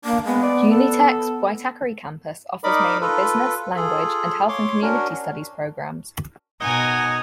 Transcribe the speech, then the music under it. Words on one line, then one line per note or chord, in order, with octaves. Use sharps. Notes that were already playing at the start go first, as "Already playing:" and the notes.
Unitec's Waitakere campus offers mainly business, language, and health and community studies programs.
A#3 D4
G#3 B3
D5
A4
D#4 A#4 D5 D#5 B5 D6
F4 A4 B4
F4 G#4 A4
C#5 C6 D6
C#4 D4 F#4 A#4
B2 D#4 A#4 C#5 D#5 F#5 G#5